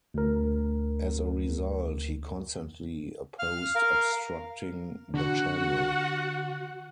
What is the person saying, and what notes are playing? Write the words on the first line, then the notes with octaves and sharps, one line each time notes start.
As a result, he constantly opposed obstructing the channel.
D2 A#4
F5 F6
A#4 F5
D3 F#4 F#5